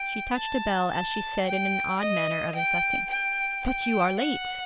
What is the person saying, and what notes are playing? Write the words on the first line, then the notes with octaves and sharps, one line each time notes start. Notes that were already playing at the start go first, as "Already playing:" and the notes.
She touched a bell as she said in an odd manner of inflecting, 'But you are late!'
Already playing: G5
A5
A5
G5
D#5
G5
G5
G5
F#5